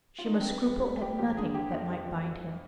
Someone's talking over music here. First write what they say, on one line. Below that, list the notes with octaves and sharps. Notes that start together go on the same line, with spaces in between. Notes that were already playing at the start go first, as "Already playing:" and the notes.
She must scruple at nothing that might bind him.
F4
D#4
D4
C4
G3 B3
F2 B3
G#3
F2 B3
G3 G4
F2 G4
D3 G#4
D3 G4
F2
F2
F2
F2